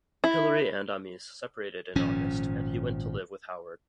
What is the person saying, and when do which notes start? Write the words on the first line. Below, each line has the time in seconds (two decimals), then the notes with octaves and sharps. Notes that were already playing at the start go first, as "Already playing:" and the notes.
Hilary and Amis separated in August, and he went to live with Howard.
0.24 E4
1.95 G#1 A#2 F3 C#4